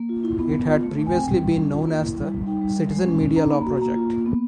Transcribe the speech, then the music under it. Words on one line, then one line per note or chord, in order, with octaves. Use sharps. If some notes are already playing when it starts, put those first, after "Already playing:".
It had previously been known as the Citizen Media Law Project.
Already playing: A#3
F4
E4
B3
B3
F4
A3
A3
G#5
C4 G5
G3
G3
C#4
F4
A#3
E4
G3
G3
D#4 G5
G3
G3
G#3
C#4
C#4
D#4 A#5
A#3 B5
A#5
F#4
A#3 A#5
F4
A#3
B3